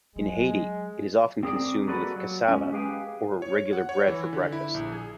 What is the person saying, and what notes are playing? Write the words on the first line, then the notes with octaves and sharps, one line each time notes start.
In Haiti, it is often consumed with cassava or regular bread for breakfast.
F#3 G#3 C#4
C4 G#4 A#4 D5
G3 A#3 F#4 A4 B4 D5
F#3
G#3 C#4
G4 G#4 B4 F5 G5 G#5
C#5
F#5
C#5
E3
D3
E4
A#1
G#4